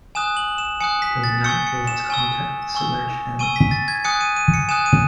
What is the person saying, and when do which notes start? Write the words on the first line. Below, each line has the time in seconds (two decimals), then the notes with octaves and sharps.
During the night, they lost contact with the submerged enemy.
0.15 G#5 D#6 F#6 E7
0.37 F#7
0.58 E7
0.80 G#5 D#6 F#6 C#7
1.02 B6
1.24 A6
1.44 G#5 C#6 E6 C#7
1.67 C#7
1.87 E7
2.10 G#5 C#6 E6
2.75 G#5 C#6 E6
3.39 G#5 C#6 E6 D#7
3.56 B6
3.71 A6
3.88 G#6
4.04 G#5 D#6 F#6 C#7
4.21 D#7
4.37 D#7
4.54 C#7
4.69 G#5 D#6 F#6 E7
4.86 D#7